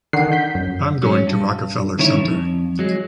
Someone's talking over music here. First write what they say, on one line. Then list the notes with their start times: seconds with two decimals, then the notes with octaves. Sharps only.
I'm going to Rockefeller Center.
0.13 D3 D#3 F#5 C7
0.32 G6 B6
0.55 F#2
1.03 F#3 C#4
1.27 G2
1.99 D3 D#3 C#4 E4 C#5
2.18 F2
2.79 F#3 G#3